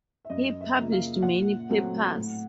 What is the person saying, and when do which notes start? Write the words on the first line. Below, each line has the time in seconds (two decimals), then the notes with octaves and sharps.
He published many papers.
0.25 E5
0.30 F#2 D#5
0.61 E5
0.76 C#3 F3 A#3
0.92 F5
1.22 A#2 F#5
1.69 F#3 A3 C4
2.16 A2